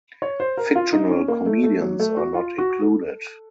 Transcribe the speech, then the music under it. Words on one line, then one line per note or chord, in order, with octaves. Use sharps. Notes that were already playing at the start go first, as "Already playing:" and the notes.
Fictional comedians are not included.
C#5
C5
A#4
F4
D#4
C#4
A#3
A3
A3
F#3
A3
F#4
F4
F#4
A4